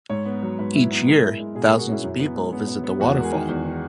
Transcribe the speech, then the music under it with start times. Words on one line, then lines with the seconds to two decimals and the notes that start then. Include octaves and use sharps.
Each year thousands of people visit the waterfall.
0.09 G#2 C#5
0.26 B3
0.43 F#3
0.59 G#2 B4
0.75 E4
0.91 B3
1.07 G#3 A#4
1.23 E4
1.39 G#3
1.55 B2 G#4
1.68 G#3 A#4
1.79 F#4
1.88 C#4 E4
2.04 F#2
2.20 B3
2.36 G#3
2.53 B3
2.68 B3
2.84 B3
3.00 E2 F#4
3.17 G#3 A#4
3.24 G#4
3.32 D#3
3.49 E2
3.65 D#3